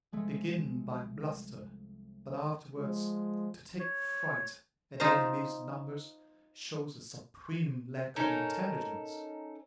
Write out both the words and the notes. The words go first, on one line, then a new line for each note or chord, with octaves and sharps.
To begin by bluster, but afterwards to take fright at the enemy's numbers, shows a supreme lack of intelligence.
C2 F3 G#3 A3
F3 G#3
C#5
D#4 F4 C5
C#4 D#4 A4 A#4